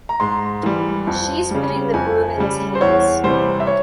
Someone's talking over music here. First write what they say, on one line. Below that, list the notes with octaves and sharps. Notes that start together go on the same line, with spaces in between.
She is putting the broom in his hands.
A#5
G#2 C6
E3 G3
F2
C#3 G3
F2 G#5
C#3 G3
C5
E2 C#5
C3 E3 G3 C5
E5
C#5